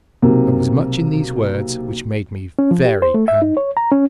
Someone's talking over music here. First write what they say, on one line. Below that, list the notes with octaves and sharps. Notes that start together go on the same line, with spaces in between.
There was much in these words which made me very angry.
B1 C3 A#3
C#4
F3
G4
C5
A3
E5
D#4
C#5
A#5
C#4